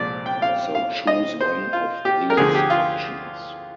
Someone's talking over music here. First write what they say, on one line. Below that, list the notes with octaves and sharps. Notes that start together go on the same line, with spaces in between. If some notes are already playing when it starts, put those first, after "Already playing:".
So choose one of these options.
Already playing: C2 A#2 F3 G#3 D5
G5
F5
F5
D#5
C5
F4
G4
A#4
D2 D3 F3 G#4
G4
F4